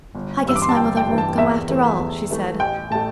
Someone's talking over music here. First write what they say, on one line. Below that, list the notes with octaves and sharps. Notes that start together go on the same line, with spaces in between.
"I guess my mother won't go, after all," she said.
G1
G2 E3 E6
D6
C6
A5
G1 G5
G5
G2
E3
A5
E2 E5
E3 A3
E2
E3 A3
A1 G5
A2 A3 A5